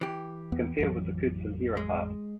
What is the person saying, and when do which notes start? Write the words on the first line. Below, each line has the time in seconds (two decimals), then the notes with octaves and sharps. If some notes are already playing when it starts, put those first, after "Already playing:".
Compare with the kutsinhira part.
0.01 E3 G4
0.52 E2 B3
0.78 A1 F2 F#3
1.77 G#3